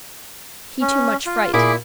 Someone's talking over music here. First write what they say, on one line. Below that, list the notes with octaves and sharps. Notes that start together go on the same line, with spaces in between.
He too much fright.
C#4
F4
A#2 E4 G#4 B5 D6